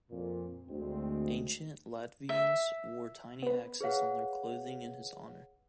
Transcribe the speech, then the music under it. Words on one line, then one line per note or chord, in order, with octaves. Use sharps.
Ancient Latvians wore tiny axes on their clothing in his honor.
F2 A#2
D2 G#3 C4
E5
B3 B4
G#4 B4 C#5 F5 F#5